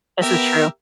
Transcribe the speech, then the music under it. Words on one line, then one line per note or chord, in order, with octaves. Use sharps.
This is true.
B3 G4 A#4 E5